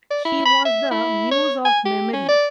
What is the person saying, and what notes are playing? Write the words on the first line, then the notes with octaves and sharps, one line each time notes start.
She was the muse of memory.
D5
E4
B5
E5
E4
C#5
G#5
G4
C#4
D5